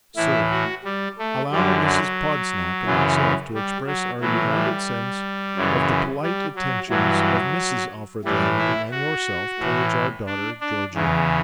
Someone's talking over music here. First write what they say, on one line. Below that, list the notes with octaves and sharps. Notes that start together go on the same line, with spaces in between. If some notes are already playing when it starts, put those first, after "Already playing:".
Sir: Allow Mrs Podsnap and myself to express our united sense of the polite attentions of Mrs Alfred Lammle and yourself towards our daughter, Georgiana.
A2 E3 E4
F#4
G3
A3
F#2 D3 G3
F#3
F#2 C#3 E3
G3
F#3
A2 E3 F#3
G3
F#2 C#3 E3
G3
F#3
G2 E3 F#3
A2 E3 G3
E4
F#4
A2 E3
D4
D4
E2 C#3 E3